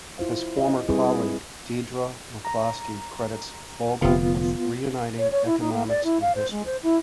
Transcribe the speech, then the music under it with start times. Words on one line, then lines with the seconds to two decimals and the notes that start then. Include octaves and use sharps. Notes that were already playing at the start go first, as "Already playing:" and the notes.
His former colleague Deirdre McCloskey credits Fogel with "reuniting economics and history".
0.18 E4 F4 C5 F5
0.57 G4 D#5
0.89 G3 C4 E4 G#4 B4
2.45 A#5
4.02 F1 D3 B3 F4
5.18 C#5
5.31 C#5
5.45 E4
5.60 D#4
5.72 A#3
5.88 D5
6.04 E4
6.21 F5
6.35 C5
6.51 G#3
6.65 C5
6.83 E4